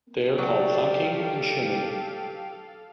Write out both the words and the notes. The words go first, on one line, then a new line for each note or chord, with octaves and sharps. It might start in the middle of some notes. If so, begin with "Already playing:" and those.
They are called thunking and shimming.
F#3 G4 A4 D5 F5